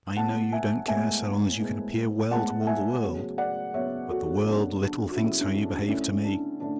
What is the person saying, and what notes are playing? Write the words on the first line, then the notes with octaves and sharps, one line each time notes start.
I know you don't care so long as you can appear well to all the world,--but the world little thinks how you behave to me.
A2 G#3 B3 F#5 A5
E5 G#5
A2 G#3 B3 E5 G#5
A2 G#3 B3
A2 G#3 B3 F#5 A5
E5 G#5
C#3 F#3 B3
D5 F#5
C#3 F#3 B3 C#5 E5
F#4 A4
C#3 F#3 B3 D4
D4
F#4
C#3 F#3 B3 C#4 E4
C#4 E4
D4
D3 A3 C#4 E4
D4
D3 A3 C#4 D4